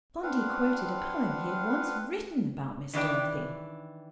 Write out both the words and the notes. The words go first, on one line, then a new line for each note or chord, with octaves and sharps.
Spondee quoted a poem he had once written about Miss Dorothy.
C4 D4 F4 B4 F5 F#5
D#3 E3 D4 G5